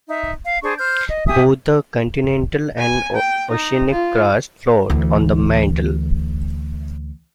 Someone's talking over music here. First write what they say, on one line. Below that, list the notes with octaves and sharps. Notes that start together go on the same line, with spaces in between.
Both the continental and oceanic crust "float" on the mantle.
D#4 E5
F5
D4 G#4 C5 C#6
C5 F6 G6
D#5
G4 E5 G#5 D#6
G#5
G5
D#4
F4
D2 E3